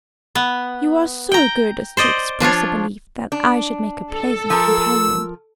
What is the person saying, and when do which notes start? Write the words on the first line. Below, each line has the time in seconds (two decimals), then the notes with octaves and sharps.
You are so good as to express a belief that I should make a pleasant companion.
0.35 B3
1.32 G5 A#5
1.97 C5 D5 D#5
2.40 F3 D4 F4 C#5
3.32 D4
4.12 A4
4.50 F3 A#4 E6